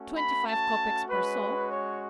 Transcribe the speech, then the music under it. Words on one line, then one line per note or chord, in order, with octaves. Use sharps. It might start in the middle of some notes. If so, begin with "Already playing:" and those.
"Twenty-five kopecks per soul."
Already playing: A3 C#4 F#4
B5
A5
G#3 C#4 F#4 B4
C#5